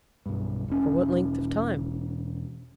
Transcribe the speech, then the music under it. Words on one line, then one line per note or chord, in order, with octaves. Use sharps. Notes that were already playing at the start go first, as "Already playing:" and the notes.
"For what length of time?"
B1 G2
E1 C#4